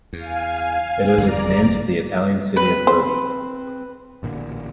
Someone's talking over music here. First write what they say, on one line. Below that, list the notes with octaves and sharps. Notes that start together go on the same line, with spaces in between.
It owes its name to the Italian city of Lodi.
E2 F5 G#5
G1 F2 D#3 D5 A#5
C4 B4
C5
A1 A#2 D3